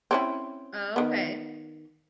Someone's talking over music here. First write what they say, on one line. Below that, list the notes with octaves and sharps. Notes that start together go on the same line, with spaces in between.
Oh, okay,
C4 C#4 E4
D#3 B3